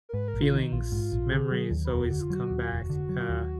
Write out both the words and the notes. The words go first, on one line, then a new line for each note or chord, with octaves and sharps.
feelings, memories always come back, uh,
A#4
G#2 B4
A#4
A#1
F4
D#3 D#4
A#1 F4
G#2
A#1
D3 G#4
F#3
D#2
B4
F1 A#4
F#4
D3
F4
F#3
F#4
D#2
F1
D3
F#3
D#2